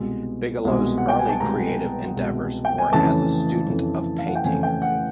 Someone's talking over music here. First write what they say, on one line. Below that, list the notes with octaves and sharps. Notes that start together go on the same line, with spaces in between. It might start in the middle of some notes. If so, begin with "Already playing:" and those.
Bigelow's early creative endeavors were as a student of painting.
Already playing: C2 B2 G#3
C2 B2 G#3
F#5
G5
G#5
A5
C2 B2 G#3 A#5
C2 B2 G#3
G5
G#5
F2 C#3 E3 A3 A5
F2 C#3 E3 A3
F5
F#5
G5
F2 C#3 E3 A3 G#5
G5
F#5